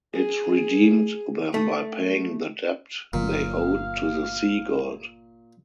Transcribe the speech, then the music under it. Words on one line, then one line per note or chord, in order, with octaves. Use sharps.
It redeemed them by paying the debt they owed to the sea-god.
G#4
A3
G1 A#2 D3 F#3 F5